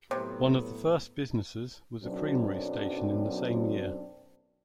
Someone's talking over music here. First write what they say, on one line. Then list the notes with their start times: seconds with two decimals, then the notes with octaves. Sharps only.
One of the first businesses was a creamery station in the same year.
0.11 A2 C3 F#3 B3 C5
2.03 B1 F#2 B2 C4 D4